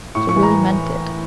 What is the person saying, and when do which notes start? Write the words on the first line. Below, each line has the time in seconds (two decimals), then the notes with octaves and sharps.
She really meant it.
0.15 A2 C#6
0.29 C#6
0.36 E3
0.43 A#5